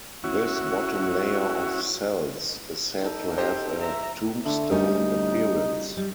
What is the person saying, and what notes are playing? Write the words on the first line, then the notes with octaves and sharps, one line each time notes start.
This bottom layer of cells is said to have a "tombstone appearance".
C#4 E4 F#4
D#4 A4
G4 C5 D#5
E5 A#5
D3 A3
D2 G3 C#4 D#4
G3